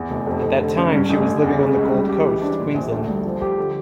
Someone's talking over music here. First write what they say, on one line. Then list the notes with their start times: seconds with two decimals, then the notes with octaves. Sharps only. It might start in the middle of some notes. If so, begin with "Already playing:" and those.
At that time she was living on the Gold Coast, Queensland.
Already playing: E2
0.10 F1
0.27 F2
0.43 F1
0.60 D3
0.76 C#4
0.93 G2
1.09 A1
1.26 D3
1.43 E2
1.59 C#3
1.75 C#2
1.92 G3
2.08 G4
2.25 E3
2.42 D4
2.59 A#2
2.74 A#1
2.91 D2
3.08 G3
3.24 F3
3.41 G4
3.57 D3